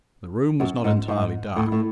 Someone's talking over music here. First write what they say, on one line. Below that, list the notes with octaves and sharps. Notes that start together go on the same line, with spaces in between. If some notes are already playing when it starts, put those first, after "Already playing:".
The room was not entirely dark.
F#2
G#2
G#2
A2
A2